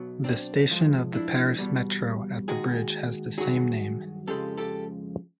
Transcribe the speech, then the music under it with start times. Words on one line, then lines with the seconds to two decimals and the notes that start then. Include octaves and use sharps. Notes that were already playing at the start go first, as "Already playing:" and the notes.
The station of the Paris Metro at the bridge has the same name.
Already playing: B1 B2 F#3
0.24 C4 D4
0.70 G#2 F3 G#3
1.13 D4 E4
1.58 E2 B2 G3
2.48 D#2 D#3 G#3 F#4 G#4
3.38 G2 D#3 F#3 F#4 G#4
4.27 F2 C#3 F3 G#3 G4 A4
4.58 G4 A4